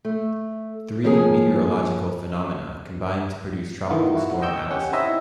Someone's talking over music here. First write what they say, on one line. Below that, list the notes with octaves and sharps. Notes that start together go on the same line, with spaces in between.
Three meteorological phenomena combined to produce Tropical Storm Allison.
A3
D#2 F3 A#3 G#4 G#5
D#3 E3 A3 B3 D#4 F4
E4 F#4
D#5 G5 C#6 E6 G6
C#4 G4 F#5
C4 D#4 E4 C#5 D#5 E5